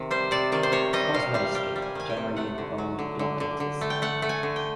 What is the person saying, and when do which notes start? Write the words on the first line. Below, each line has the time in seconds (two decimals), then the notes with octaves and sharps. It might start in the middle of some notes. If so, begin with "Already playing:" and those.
Kozlowski, generally in bold block letters.
Already playing: C3 D#3
0.11 G3 C5
0.31 C3 D5
0.52 D#3 D5
0.63 C5
0.72 C3 C#5
0.93 G3 D#5
1.14 C3 F5
1.34 G3 F5
1.55 G3 G5
1.76 G3
1.82 G#5
1.95 D#3 G#5
2.10 G5
2.17 C3
2.36 A3 F#5
2.58 D3
2.78 F#3
2.99 D3
3.19 D3
3.40 D3
3.60 D3
3.81 A3
3.90 G5
4.02 A3 F#5
4.22 A3
4.29 G#5
4.43 D3
4.56 G5